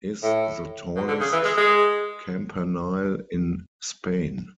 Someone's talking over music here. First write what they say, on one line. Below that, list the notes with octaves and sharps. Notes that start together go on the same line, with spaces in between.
Is the tallest campanile in Spain.
A2
B2
D3
C#3
E3
G#3
G#3